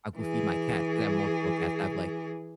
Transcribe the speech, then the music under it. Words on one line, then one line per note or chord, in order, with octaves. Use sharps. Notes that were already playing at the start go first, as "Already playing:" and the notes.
I'll go feed my cats 'cause I have multiple cats, I have like,
E3 G#4